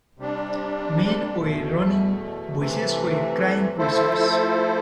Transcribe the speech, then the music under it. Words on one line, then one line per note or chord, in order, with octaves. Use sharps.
Men were running, voices were crying questions.
C3 G3 D4
E2 B2 A3
C3 E3 A3
F3 A3 E4 A4 C5